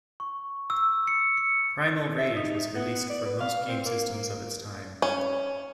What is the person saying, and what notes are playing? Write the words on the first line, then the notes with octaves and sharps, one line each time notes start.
"Primal Rage" was released for most game systems of its time.
C#6
E6
C#7
C#7
E5
D#4
B3
D5
B4
F5
C4
A#3
A#3
C#4